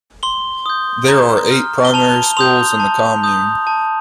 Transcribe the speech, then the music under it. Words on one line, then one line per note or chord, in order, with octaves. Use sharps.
There are eight primary schools in the commune.
C6 G7
D#6 G6
A#5
F6
G7
A5 F7
C6 D#6 G6 F7
A5
D#6 G6
A5